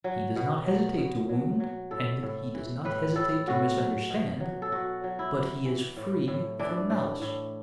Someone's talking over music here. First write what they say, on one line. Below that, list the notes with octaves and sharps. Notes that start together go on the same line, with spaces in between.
He does not hesitate to wound and he does not hesitate to misunderstand, but he is free from malice.
F#3
B2
F#3
B2
F#3
F#3
A2 A4
A2
E3
A2 B4
A2 A4
A2 F#4
F#3
B2
F#3
A4
F#3 F#4
F#3
E4
F#3
E3
A2
A2
E3 D4
A2
A2